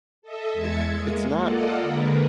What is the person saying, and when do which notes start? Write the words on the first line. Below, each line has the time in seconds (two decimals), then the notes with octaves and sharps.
i it's not
0.22 A4 D#5 E5
0.53 E2 G#3 E5 G#6 A6 C#7
0.90 G#3 A#3
1.37 A#3 F4 A4 D5 D#5 F#5
1.81 D3 G#3 A#3 A#4 B4